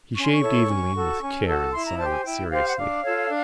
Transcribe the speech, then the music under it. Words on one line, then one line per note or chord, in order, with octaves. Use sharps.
He shaved evenly and with care, in silence, seriously.
C#4 C#6
C6
C#6
E4 A4 C#5
C#4
F#4 A4
C#4
F#4 A4
E4 C6
A#5
G4 C5 A5
G#5
E4 G5
G4 C5 F5
F#5
D4 F5
F4 A4 C#5
D4